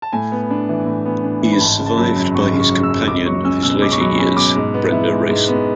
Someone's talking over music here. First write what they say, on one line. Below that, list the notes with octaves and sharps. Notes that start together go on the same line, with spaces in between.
He is survived by his companion of his later years, Brenda Rayson.
A5
A2 G#5
B3
D4
E3
A2
B3
D4
E3
B5
G#1 A5
C#3
A5
F#3 B5
F#2
G#1 C#6
C#3
C#6
F#3
E6
F#2
C#2 D6
F#3 C#6
C#4 E6
B2 E6
C#2 D6
C#6
F#3 B5
C#4 B5
B2 D6
G#2
B3
E4
G#3
G#2
B3